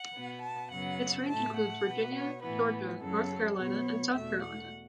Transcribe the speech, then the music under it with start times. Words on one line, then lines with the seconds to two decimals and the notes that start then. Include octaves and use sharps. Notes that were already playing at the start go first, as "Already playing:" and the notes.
Its range includes Virginia, Georgia, North Carolina and South Carolina.
Already playing: F#5
0.14 B2 B3
0.42 A5
0.71 F#2 C#3 F#3 B3 F#5
1.28 A2 A3 A5
1.57 F#5
1.85 B2 B3
2.13 C#5
2.42 A2 E3 B3 B4
2.99 F#2 C#3 F#3 A4
3.57 B2 F#3 B3 C#5
4.13 E2 B2 A3 E5
4.42 F#5